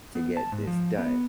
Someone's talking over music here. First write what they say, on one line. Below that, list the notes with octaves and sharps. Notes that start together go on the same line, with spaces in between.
to get this done,
B3
A5
G#2
F3
B3